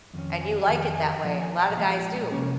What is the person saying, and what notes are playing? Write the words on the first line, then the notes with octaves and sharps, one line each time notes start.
and you like it that way. A lotta guys do.
F2 D#3 C#4
G#5
G#5
F2 D#3
G5
G#5
G5
A#2 F3 F5
G#5
G5
A#2 F3 G#3 F5
C3 F3 A#3 C#4 C#5